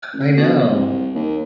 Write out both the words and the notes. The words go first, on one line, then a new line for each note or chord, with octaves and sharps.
I know.
A1
B2
C2
D#2